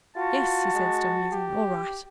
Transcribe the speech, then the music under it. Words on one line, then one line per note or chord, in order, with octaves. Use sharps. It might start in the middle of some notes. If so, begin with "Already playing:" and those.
"Yes!" he said, still musing, "all right!"
F4 F#4 A5
G#3
G4